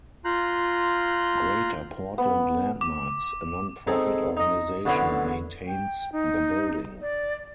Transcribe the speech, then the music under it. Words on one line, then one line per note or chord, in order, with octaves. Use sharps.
Greater Portland Landmarks, a non-profit organization, maintains the building.
F4 A#5 C6 F#6 G6
B3
D6
G#3 C4 D#4 G#4 A4
D#4 D#5
F#2 D3 B3 E4 C#5 C6
G5
D#4
D5